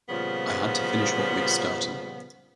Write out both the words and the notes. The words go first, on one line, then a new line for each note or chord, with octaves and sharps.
I had to finish what we'd started.
A#2 C#3 F3 G3 B3